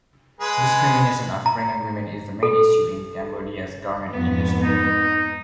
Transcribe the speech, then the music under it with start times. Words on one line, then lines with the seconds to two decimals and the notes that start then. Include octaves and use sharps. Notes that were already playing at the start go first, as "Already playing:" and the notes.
Discrimination of pregnant women is the main issue in Cambodia's garment industry.
0.41 G#3 G#4 B4
1.46 A#5
2.43 A4
4.11 F2 G#2 B3
4.62 D#4